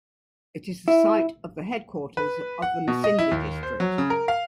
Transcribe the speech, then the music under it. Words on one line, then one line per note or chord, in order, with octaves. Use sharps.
It is the site of the headquarters of the Masindi District.
E4
B4
F#5
B2
D#5
E4
D#2
C5
F#3
C#3
A#4
F5